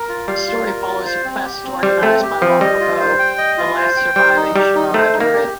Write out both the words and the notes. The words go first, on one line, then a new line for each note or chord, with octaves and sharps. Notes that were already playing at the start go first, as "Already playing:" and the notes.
The story follows a quest organized by Walker Boh, the last surviving Shannara Druid.
Already playing: A#4
F4
G3 F5
F4
A#4
F4
C5
C4
G4
C4
G3 C5
A3 C4
G4
F3 C4
G3 D#5
F4
C5
G5
D#5
F4
C5
G5
G3 C5
D#4
G3 G4
D#4
A3 C5
D#4
A#3
G4